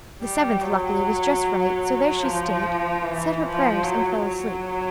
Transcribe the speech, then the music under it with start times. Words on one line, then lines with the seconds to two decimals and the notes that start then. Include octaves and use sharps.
The seventh, luckily, was just right; so there she stayed, said her prayers, and fell asleep.
0.22 G3
0.63 F#3
2.23 F3
3.03 E3
3.43 F3
3.83 F#3
4.24 F#3